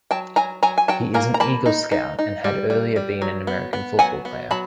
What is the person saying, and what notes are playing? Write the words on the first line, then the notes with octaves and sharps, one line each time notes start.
He is an Eagle Scout and had earlier been an American football player.
F#3 G5 A5
F#3 G#5 A#5
F#3 G#5 A#5
G#5
F#3 G5 A5
A#3 G#5 A#5
A#5
A#3 A5 B5
D#4
D#4
D#4
G3
G3
G3
F#3
B3
B3
F#3 F#5 G#5
B3
F#3 A5 B5